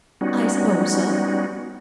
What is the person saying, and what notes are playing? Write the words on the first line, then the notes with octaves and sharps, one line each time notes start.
"I suppose so."
G3 B3 C#4 D#4 F#4